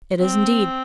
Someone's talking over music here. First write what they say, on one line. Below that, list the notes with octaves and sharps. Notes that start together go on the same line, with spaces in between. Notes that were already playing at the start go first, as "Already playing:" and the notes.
"It is indeed."
C4